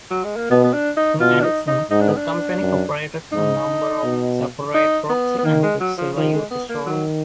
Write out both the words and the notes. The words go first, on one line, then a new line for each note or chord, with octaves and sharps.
In addition, the company operated a number of separate Roxy and Quiksilver Youth stores.
F#3
G#3
A#3
B2 B3
B3
D4
D#4
B2 F4
D4
D#4
D#4
G#2 D#4
D4
B3
D4
F#2
G#2 D#4
B2
D#4
B3
B3
D#3 A#3
G#3
F#3
F3
D#3 F3
G#3
B3
A#3
D#3 F#3